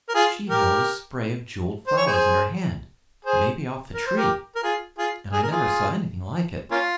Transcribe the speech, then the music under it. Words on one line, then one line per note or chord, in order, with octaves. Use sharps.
She held a spray of jeweled flowers in her hand, maybe off the Tree, and I never saw anything like it.
A#4
F4 G#4
G4 A#4
C5
C#5
G#4 C5
G#4 C5
A#4
C5
G4 A#4
A#4
F4 G#4
F4 G#4
G#4
A#4
F4 G#4
A#3 C#4 F4